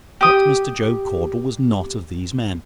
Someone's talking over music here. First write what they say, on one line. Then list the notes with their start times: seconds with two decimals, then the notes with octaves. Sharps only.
But Mr. Job Caudle was not of these men.
0.21 G4 D#6